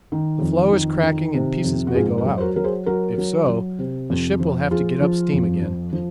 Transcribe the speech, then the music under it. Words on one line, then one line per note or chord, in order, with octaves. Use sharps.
The floe is cracking and pieces may go out--if so the ship will have to get up steam again.
D#3
F2
D#3
D#3
C3
F2
F#4
G#2 F4 G#4
F#4 A#4
F#3
C5
F#4 A#4
F#3 A#4
G#4 C5
F#3 F#4 A#4
F#3
F#3
C3
F2
F3
F3 F4 G#4
F3
F2
F3
F3